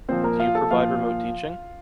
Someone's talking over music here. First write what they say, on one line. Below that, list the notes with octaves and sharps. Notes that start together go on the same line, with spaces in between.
Do you provide remote teaching?
A#2 F3 C4 C5
A#3 A#4
F4 F5
A4 A5
A#2 F3 F4 F5